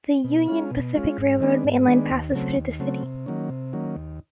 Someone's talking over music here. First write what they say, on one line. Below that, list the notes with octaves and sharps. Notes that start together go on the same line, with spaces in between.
The Union Pacific Railroad mainline passes through the city.
B2
G#3 C#4 F4
B2
G#3 C#4 F4
G#2
D#3 G#3 B3 D4
G#2
D#3 G#3 B3 D4
D#2
C#3 F#3 A3 C4
D#2
C#3 F#3 A3 C4
C3
D#3 F#3 A#3 C#4
C3
D#3 F#3 A#3 C#4
D#2